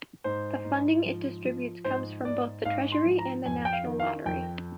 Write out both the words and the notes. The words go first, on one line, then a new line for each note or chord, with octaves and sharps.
The funding it distributes comes from both the Treasury and the National Lottery.
G#2 C5
G#2
F3
F3
G#2 C5
G#2 D5
G#2 F5
C6
F3
A#5
F2 G#5
G5
F5
D#3
F5
F2 G5